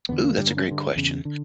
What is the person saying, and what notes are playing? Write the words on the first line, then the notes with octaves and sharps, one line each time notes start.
Ooh, that's a great question.
E2 D3 B3
A#3
G2 D3 G3
A#3
C#4
G2 D3
E2 C#3
D3